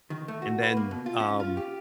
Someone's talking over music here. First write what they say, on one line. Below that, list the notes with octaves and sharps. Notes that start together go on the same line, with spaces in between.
and then, um,
D#3
A3
F#4
B4
A#3
B2
F4
C#4
F4
G4